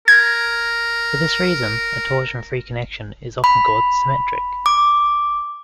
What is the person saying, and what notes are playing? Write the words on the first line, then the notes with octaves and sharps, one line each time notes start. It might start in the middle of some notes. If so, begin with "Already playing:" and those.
For this reason a torsion-free connection is often called 'symmetric'.
A#4 G#6
B5
D6